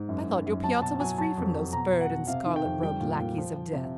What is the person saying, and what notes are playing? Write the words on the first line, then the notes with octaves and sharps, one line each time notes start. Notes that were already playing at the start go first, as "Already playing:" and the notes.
I thought your piazza was free from those furred and scarlet-robed lackeys of death.
Already playing: G#2
F#2
F#2
F#2
F#3 A5
B2 A5
F#3 G#5
F#3 A5
F2
F#3
B2 A#5
B2
F#5
B2
C3 F5
D#3
G5
F2
G3 G5
A#2
A#2
F3
F3
C3